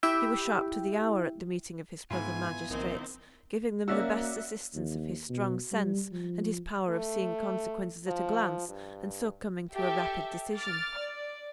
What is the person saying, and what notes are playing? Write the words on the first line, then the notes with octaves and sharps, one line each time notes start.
He was sharp to the hour at the meeting of his brother magistrates,--giving them the best assistance of his strong sense, and his power of seeing consequences at a glance, and so coming to a rapid decision.
E4 G4 E5 G5
G#2 B3 E4 F4 G#5
A#1 D#3 C4
A#3 C#4 F#4 D5 E5 E6
D#2
B2
G3
F3
A3
F3
G2
G4 A4 E5 G5
D6 F6 A6
D5